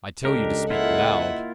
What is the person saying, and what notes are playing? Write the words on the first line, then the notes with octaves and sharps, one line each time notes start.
"I tell you to speak loud."
C#2 D4 G4 A4 A#4 D#5
A#3 E4 F4 E5 F#5